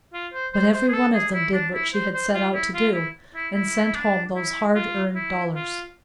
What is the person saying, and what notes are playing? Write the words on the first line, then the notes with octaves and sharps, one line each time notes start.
But every one of them did what she had set out to do, and sent home those hard-earned dollars.
F4
C5
C5
C5
G#4
A4
G#4
E4
D4
E4
C5
C5
F4
E4
F4
E4
E4
E4
E4
D4
E4
F4
E4
F4